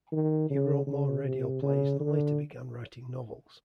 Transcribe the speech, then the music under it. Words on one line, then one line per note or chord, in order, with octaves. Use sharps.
He wrote more radio plays and later began writing novels.
D#3
C#3
C#3
C3
C#3
D3